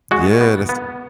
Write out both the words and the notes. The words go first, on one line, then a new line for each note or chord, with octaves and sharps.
Yeah, that's t
G#3 F#4
B3
B3